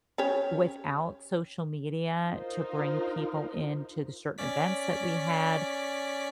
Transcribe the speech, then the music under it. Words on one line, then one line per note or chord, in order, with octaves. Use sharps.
without social media to bring people into the certain events that we had
C#4 G4 C#5
D#4 F4 A#4 C5
C#4 D5 B6